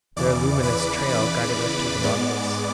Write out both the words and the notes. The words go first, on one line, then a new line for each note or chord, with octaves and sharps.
Their luminous trail guided us to the Nautilus.
E2 C#3 E3 D5 D6
B4 B5
B4 B5
G#2 G#3 B3 D5 D6